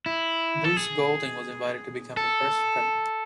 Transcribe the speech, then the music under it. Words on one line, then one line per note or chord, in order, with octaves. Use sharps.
Bruce Golding was invited to become the first President.
E4
A4
G#4
A4